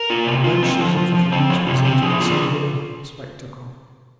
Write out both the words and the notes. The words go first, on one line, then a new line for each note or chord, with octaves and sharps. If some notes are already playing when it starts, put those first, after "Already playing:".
The benches of the Commons presented a singular spectacle.
Already playing: A#4
F4
C3
F4
C4
F3
F3
F3
C4 C5
F3 C#5
C3 F4
C4 G4
F3 G#4
F4